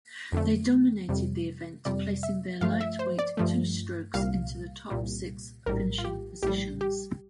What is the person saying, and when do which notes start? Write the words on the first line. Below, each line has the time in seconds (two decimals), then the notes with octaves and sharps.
They dominated the event placing their lightweight two-strokes into the top six finishing positions.
0.32 F2 D3 A3
1.09 F2 C3 G3
1.85 F2 C3 G3 D5
2.23 E5
2.61 G2 F3 A3 F5
2.81 E5
2.99 C5
3.19 D5
3.37 G2 F3 A3
4.14 C2 A#2 G3 F5
4.90 C2 A#2 G3
5.66 A#1 A2 G3 A#4
5.98 F4
6.04 G4
6.43 A#1 A2 G3 G4
6.81 G4